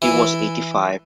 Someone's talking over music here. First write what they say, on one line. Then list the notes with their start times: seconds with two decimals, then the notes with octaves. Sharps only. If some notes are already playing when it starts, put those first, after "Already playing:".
He was eighty-five.
0.02 E3